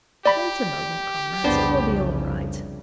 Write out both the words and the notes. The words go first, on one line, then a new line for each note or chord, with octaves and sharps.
'Wait a moment, comrades, it will be all right.
G4 D5 B5 B6
C2 F2 C#3 B3 D4 C5